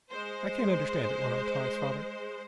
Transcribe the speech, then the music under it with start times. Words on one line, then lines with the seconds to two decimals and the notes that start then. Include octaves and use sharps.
"I can't understand it," went on Tom's father.
0.11 G#3 C5